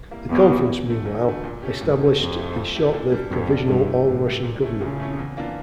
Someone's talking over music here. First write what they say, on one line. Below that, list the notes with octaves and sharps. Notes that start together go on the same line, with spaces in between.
The conference, meanwhile, established the short-lived Provisional All-Russian Government.
G3 A#3 E4
E2 A2
G3 A#3 E4
E2
D3 A3
E2
D3 A3
A#2
A3 C#4 G4
G2 A#2
A3 C#4 G4
F2 A#2
A3 E4 G4
A#2
A3 E4 G4
A#2
G3 D4
F2 A#2
G3 D4
G2 E3
A3 E4 G4
A2 E3
A3 E4 G4
A#2
A3 C#4 E4
A#2 C#3
A3 C#4 E4
E2
E3 A#3 D4 F4